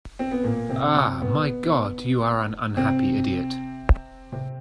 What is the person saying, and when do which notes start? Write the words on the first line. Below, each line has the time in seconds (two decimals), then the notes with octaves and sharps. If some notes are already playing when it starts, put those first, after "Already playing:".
Ah, my God, you are an unhappy idiot!
0.19 C4
0.31 B3
0.44 A#2 A#3
0.69 C3 C4
0.95 C3 C4
1.21 B2 B3
2.77 C3 C4
4.32 C3 C4